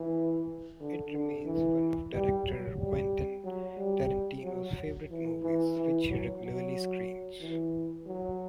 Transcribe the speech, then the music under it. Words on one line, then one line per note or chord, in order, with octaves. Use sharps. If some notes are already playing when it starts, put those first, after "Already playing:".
It remains one of director Quentin Tarantino's favorite movies, which he regularly screens.
Already playing: E3
D3
D3
E3
G3
F#3
G3
F#3
G3
F#3
E3
E3
E3
F#3
F#3
E3
F#3